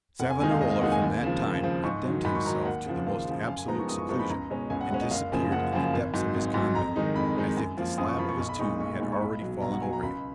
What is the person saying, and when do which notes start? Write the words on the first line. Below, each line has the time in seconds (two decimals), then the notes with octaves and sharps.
Savonarola from that time condemned himself to the most absolute seclusion, and disappeared in the depths of his convent, as if the slab of his tomb had already fallen over him.
0.20 F1 F#5
0.30 G#5
0.40 D#2 D#3 G#3 D#4 G#5
0.51 F5
0.61 F1 D#5
0.71 F5
0.81 D#2 D#3 G#3 D#4 F#5
0.92 G#5
1.02 D#2
1.23 C#3 F3
1.43 D#2
1.63 C#3 F3
1.84 G#2 C#6
2.04 D#3 F#3
2.25 G#2 B5
2.35 C#6
2.45 D#3 F#3 A#5
2.65 D#2 F#5
2.86 C#3 F3
3.07 D#2 F5
3.27 C#3 F3
3.47 F#2 F5
3.58 G#5
3.68 F3 G#3 B3 D#4 A#5
3.78 C#6
3.88 F#2 D#6
3.99 C#6
4.09 F3 G#3 B3 D#4 C#6
4.19 B5
4.30 C#2 A#5
4.50 B2 G#3 C#4
4.70 C#2 G#5
4.81 F#5
4.91 B2 G#3 C#4 F#5
5.01 D#5
5.11 F#1 F5
5.32 F#2 C#3 F3 A#3
5.52 F#1 F#5
5.73 F#2 C#3 F3 A#3
5.93 G#1
6.13 G#2 F#3
6.34 G#1
6.54 G#2 F#3
6.75 F2 A#5
6.96 D#3 G#3 D#4
7.15 F2 B5
7.36 D#3 G#3 D#4
7.57 F#2
7.77 F3 A#3
7.98 F#2 D#6
8.08 C#6
8.18 F3 A#3 B5
8.29 C#6
8.39 B1 C#6
8.49 B5
8.59 A#2 G#3 D#4 C#6
8.80 B1 C#6
9.00 A#2 G#3 D#4
9.12 C#6
9.21 B1 B5
9.41 B2 F#3
9.62 B1 A#5
9.72 F#5
9.82 B2 F#3 G#5
9.93 A#5
10.03 C#2 B5